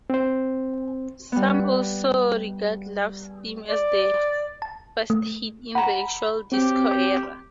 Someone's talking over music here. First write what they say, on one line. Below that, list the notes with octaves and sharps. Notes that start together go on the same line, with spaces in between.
Some also regard "Love's Theme" as the first hit in the actual "disco era".
C4 C5
G3 B3
D5
A5
A3
F#5 A#5 B5
F#3 C4 G4